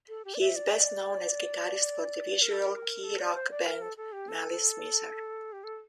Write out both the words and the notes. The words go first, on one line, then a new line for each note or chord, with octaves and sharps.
He is best known as guitarist for the visual kei rock band Malice Mizer.
A4
G4
D5
E5
D5
A#4
A4
A#4
A4
D5
C5
D5
A#4
A4
A4
G4
A4
G4
A4